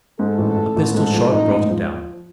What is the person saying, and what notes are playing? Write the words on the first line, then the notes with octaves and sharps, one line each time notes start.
A pistol-shot brought him down.
G#2 A4
A1
A1
A1
G#2 A4
F3
A1 D#4
G#2
F3